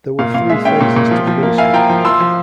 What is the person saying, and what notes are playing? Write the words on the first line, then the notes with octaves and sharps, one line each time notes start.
There were three phases to the ministry.
A#2 F5
A#2 F5
G#3 E5
C#4 E5 G5
A#2
A#2
F3
F3
A#3
E4 F5 G#5
F3 G5 A#5
F3
F3 C6 E6
F3